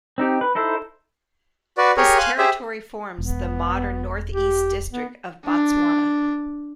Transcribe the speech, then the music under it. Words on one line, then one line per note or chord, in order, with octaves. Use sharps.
This territory forms the modern North-East District of Botswana.
C4 D#4 G4
B4
D#4 E4 A4 C5
F#4 B4 D5
G4 G#4 A#4 C#5
F5 G#5 C6 F#6
G4 G#4 C5 E5
E1 B3
G4
B3
D4